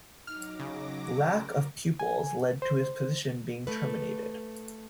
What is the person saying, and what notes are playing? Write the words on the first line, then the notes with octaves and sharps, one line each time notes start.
Lack of pupils led to his position being terminated.
F#3 D#4 D6 F6 A#6
C#3
A#4
G#5
C5
A3 B4